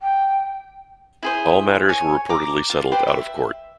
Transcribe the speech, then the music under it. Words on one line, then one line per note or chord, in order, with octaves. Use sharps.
All matters were reportedly settled out of Court.
G5
E4 G#4 C5
C#5 G#5
A#5 D6
F4
G4 B4 C5
E5